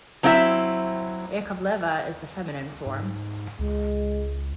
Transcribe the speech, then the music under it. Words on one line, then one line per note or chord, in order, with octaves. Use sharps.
Yakovleva is the feminine form.
F#3 C4 E4 F#4 E5
G#2
C#2 G#3